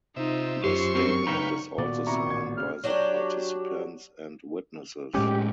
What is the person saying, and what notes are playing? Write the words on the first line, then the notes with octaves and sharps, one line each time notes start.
The statement is also signed by the participants and witnesses.
C3 D#4 F4 E5
F#2 F4 G4 C5 C6 C#6 E6
C4 G4 A#4
C#3 D#4 B4 F5 G5 A#5
A#2 D#3 B3 F#4 D5
C3 E4 A#5 C#6
A1 G#6
C#3 F6
F#3 D4 F#4 G4
A2 G#3 C#4 G4